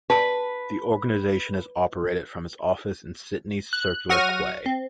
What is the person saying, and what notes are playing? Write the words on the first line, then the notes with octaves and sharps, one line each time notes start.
The organisation is operated from its office in Sydney's Circular Quay.
B4 A5
F#6
F#3 F#5 C#6 F6 A#6 D#7
C4